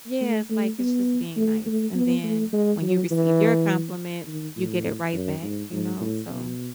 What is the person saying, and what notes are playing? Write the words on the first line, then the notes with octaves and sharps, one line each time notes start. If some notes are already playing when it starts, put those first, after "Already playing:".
yeah, it's like it's just being nice. And then, when you receive your compliments, you get it right back, you know? So
A3
A3
B3
A3
A3
B3
A3
G#3
F#3
E3
D#3
A2
F#2
G#2
G#2
A2
B2